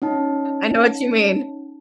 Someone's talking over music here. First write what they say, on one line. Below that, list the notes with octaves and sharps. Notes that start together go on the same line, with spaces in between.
I know what you mean,
C#4 D#4 A5